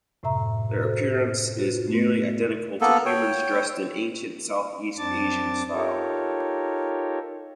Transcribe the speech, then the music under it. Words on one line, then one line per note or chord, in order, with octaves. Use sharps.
Their appearance is nearly identical to humans dressed in ancient Southeast Asian style.
F#2 A2 C3 E5 A#5
F#4 A4 C5
F4 F#4 B4
A3 B3
A#3 B3 A4
C#5 G5
F#2 C4 D4 A5 D6 A6
D#4 F4 G4 A4 A#4 C#5